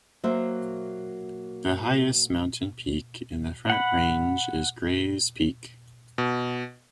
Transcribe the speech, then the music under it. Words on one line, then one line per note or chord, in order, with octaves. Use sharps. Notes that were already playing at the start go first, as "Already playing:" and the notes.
The highest mountain peak in the Front Range is Grays Peak.
F#3 A#3 C5 E5
F#5 B5
B2